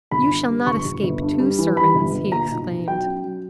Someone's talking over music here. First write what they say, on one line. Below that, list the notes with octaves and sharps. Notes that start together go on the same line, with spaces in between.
"You shall not escape two sermons," he exclaimed.
G1 B5
G2
G3
G1 C#6
G1
G1
G2
G3
E3
G3 B5
G1
G1
A#2 A#5
B1
B1
F#3 G5
C#4
F#3